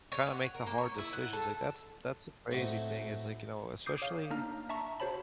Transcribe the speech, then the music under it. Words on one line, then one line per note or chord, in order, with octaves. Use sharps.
kinda make the hard decisions, like, that's that's the crazy thing is, like you know, especially
C#5
F#5
A#4
A#3
C#5
E4
F#5
A4
A2 C4 D#4 E4 F#4
D6 D#6 G6 C7
C#5 F5
A#3 D4 D#4 A#5 F6
E5 A5 A#5 C#6
F#4 C5 C#5 A5 B5